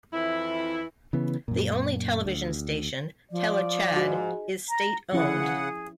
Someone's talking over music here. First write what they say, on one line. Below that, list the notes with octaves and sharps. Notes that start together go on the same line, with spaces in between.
The only television station, Tele Tchad, is state-owned.
F2 E3 E4
C#3 E3 B3
F#2 A#2
D2
F3 D5
G#2 F#4
A#5
C#3 F3 C#4 E4 G#4 F#5